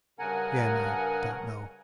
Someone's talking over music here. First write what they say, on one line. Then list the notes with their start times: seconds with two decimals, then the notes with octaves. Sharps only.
Again I don't know.
0.19 G2 C#3 A#4 F#5 G#5